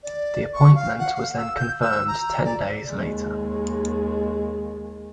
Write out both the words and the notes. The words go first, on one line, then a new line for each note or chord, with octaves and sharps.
The appointment was then confirmed ten days later.
D5
C#6
F5
F#5
F5
E6
G6
E6
A#5
D5
D#2 G#3